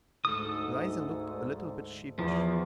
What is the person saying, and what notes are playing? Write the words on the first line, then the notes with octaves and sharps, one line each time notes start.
Eliza looked a little bit sheepish.
D2 G#2 A4 D#6
E2 F3